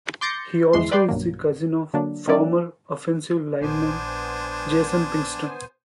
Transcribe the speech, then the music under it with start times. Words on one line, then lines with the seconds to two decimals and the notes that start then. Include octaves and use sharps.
He also is the cousin of former offensive lineman Jason Pinkston.
0.21 C6 D6 G6 A6 A#6 C#7
0.73 G1 E2 E3 G#3 C6
0.91 B4 D5 G5 C6
1.09 B1 G2 F#3 A#3
1.94 D3 F#3 A#3 D4
2.28 D#3 F#3 A#3 C#4 E4 D5
3.61 A#1 B3 D4 C5 G#5